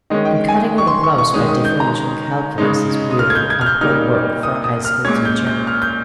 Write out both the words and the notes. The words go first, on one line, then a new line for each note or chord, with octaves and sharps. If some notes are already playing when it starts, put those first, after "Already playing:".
And cutting out a blouse by differential calculus is weary, uphill work for a high-school teacher.
D#3 G#3 C#4 D#5
G5
G#5
G5
C#6
C6
C#6
C#6
D#3 G#3 C#4 D#6
D#6
G6
A#5
C#3 G#3 D#4
D#6
F6
G#6
G6
G#6
F6
G6
A#2 G3 A#3 D#4 F6
D#6
D#6
F6
A#2 G#3 C#4 G#6
G6
G6
F6
G6